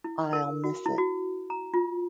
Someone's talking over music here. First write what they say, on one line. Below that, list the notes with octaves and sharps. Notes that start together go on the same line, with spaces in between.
I’ll miss it.
E4
A#4
F#4
E4
F#4
A#5
F4